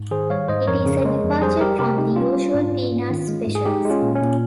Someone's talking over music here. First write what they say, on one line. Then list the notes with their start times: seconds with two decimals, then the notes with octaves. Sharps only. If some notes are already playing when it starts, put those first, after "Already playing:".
It is a departure from the usual "Peanuts" specials.
Already playing: G#2
0.11 D#3 G#4 C5
0.30 G3 C#5 F5
0.48 G#2 C5 D#5
0.67 F2 A#4 C#5
0.86 C#3
1.05 G#3
1.24 F2
1.42 G3 G#4 C5
1.61 G3 G4 A#4
1.79 C3 G4 A#4
1.98 C3 D#4 G4
2.16 G3 C#4 F4
2.36 G3
2.54 G#2
2.72 G#2
2.91 G#2
3.10 D#3
3.28 G#3
3.47 G#2
3.55 G#4
3.66 G#3 D#4 G4
3.85 G#3
3.90 C#4 F4
4.02 A#2
4.15 C#4
4.22 A#2